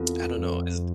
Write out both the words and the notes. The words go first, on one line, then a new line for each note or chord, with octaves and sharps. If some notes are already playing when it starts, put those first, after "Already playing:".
I don't know, is d
Already playing: E2 C4 F4 A4
F2